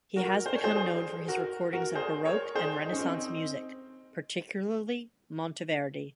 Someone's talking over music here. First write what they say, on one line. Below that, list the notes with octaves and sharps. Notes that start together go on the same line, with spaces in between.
He has become known for his recordings of Baroque and Renaissance music, particularly Monteverdi.
F#4 A#4
C5
C#5
G#4 C5
G#4 C5
F#4 A#4
F#4 A#4
G#4 C5
A#4 C#5
G#4 C5
D#4
C#4
C4 D#4